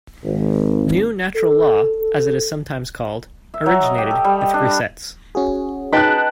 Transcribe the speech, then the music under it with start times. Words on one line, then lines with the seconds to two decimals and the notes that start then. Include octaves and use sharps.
"New Natural Law" as it is sometimes called, originated with Grisez.
0.24 G#1
1.36 A4
3.54 E5
3.66 F#3
3.84 D#5
3.98 G4
4.11 A4
4.24 G3
4.41 D#5
4.54 D4
4.67 B5
5.35 C#4 F#4 G#4
5.93 D#4 B4 G5 A5 F#6